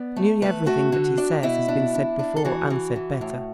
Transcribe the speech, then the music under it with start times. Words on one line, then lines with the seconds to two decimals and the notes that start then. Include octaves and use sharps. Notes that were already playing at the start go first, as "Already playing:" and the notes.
Nearly everything that he says has been said before and said better.
Already playing: B3 D5
0.16 A3
0.42 A3 B4
0.66 A3 F#4
0.92 D3
1.18 D4
1.43 B2 E4
1.68 D4
1.95 D4
2.19 D4
2.36 A4
2.45 E3 F#4
2.70 E3
2.96 E3
3.21 A2